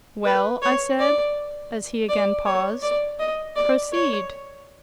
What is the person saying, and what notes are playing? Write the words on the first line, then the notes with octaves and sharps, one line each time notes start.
"Well?" I said, as he again paused--"proceed."
B4
C#5
D5
D5
C#5
D5
D#5
D5
C#5